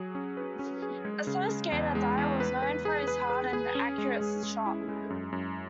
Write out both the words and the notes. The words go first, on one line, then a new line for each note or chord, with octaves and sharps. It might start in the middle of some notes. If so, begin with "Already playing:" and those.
A slow skater, Dye was known for his hard and accurate shot.
Already playing: F#3 G#4
C#4
B4
C#4
G#4
G#3
C#3
G#3
E2
G#3
E2
B4
B4
G#4
B4
B4
G#4
C#4
G#3
G#3
G#3
E4
G#3
F#2
F#2